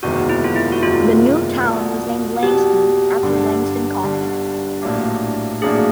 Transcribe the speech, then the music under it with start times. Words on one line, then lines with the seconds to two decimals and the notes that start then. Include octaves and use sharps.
The new town was named "Langston" after Langston Coffee.
0.03 F#1 E2 C3 D#3 G#3 F#4
0.29 E4
0.44 F4
0.56 E4
0.72 F#4
0.83 F#1 E2 C3 D#3 G#3 F4
1.63 C2 B2 F#3
2.43 C2 B2 F#3 G4
3.22 G1 G2 D3 G3
4.03 G1 G2 D3 G3
4.82 A#1 A2 F#3 A#3 D4
5.62 A#1 A2 F#3 A#3 D4 G#4